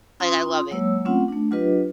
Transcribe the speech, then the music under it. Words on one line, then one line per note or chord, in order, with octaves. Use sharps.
Like, I love it.
C#4 F4 C6 D#6
F#3 G#3 A#3 C#5 E6
A3 C4 C#4 F4 F#5
A3 D4
F#3 D4 F4 G4 B4 D#5